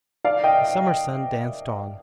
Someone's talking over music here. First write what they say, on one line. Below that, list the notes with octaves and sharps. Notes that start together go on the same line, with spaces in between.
The summer sun danced on.
D5 F5
D#5 G5